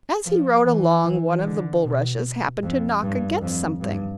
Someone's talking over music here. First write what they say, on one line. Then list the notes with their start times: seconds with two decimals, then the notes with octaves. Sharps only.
As he rode along one of the bulrushes happened to knock against something.
0.26 F3
0.64 E3
1.04 E3
1.44 D3
1.83 B2
2.63 F2
3.02 G2
3.41 F2
3.81 G2